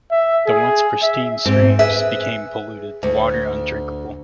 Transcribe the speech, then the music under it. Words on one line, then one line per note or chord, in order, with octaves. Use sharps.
The once pristine streams became polluted, the water undrinkable.
E5
G#4
E5
G#2 C4
G#4 B4 E5
D2